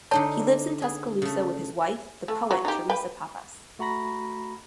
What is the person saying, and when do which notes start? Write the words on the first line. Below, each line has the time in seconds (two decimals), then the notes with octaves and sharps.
He lives in Tuscaloosa with his wife, the poet Theresa Pappas.
0.11 D3 D#4 C#5 A5 C6
0.82 G#4
1.22 C#3 A3
2.28 A3
2.51 F#3
2.65 D#4 G4
2.90 B4 G5
3.79 A3 F#4 A#5 B5 A#6